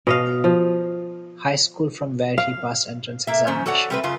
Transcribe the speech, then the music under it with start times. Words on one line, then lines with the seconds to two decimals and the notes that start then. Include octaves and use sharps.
High School from where he passed Entrance examination.
0.07 B2 D#5 F5
0.44 F3
2.38 F5
3.27 A3 A#3 E5
3.47 F#2 D#3 C#4 C5
3.66 F#4 A4 C#5 D5 F#5
3.90 G3 A3 C4 A#4 B4
4.03 F#2 C#3 F4